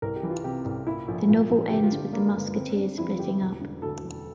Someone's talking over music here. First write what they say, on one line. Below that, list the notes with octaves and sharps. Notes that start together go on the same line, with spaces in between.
The novel ends with the musketeers splitting up.
C2 A#4
G4
E3
F4
C3 G4
C2
A#2 E4
A#1
A#2
A#1
G1 G4
F4
D3 G4
G2 A#3
G1
G1 C4
D3 D4
F2 E4
F4
G1 G4
E1
D3
D2 A4
E1